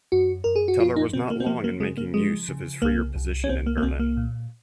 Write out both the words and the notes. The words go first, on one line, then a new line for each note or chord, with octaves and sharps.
Teller was not long in making use of his freer position in Berlin.
F#2 F#4
F#2 A#4
G#4
F#4
F3 F4
D#4
C#3 C4
A#3
C4
F3 A#3
A#3
C#3 G#3
A#3
F3 G#3
C#3
C2 A#3
C2
C#4
C2 C4
A#3
A#3
C2 C4
A#3
A#2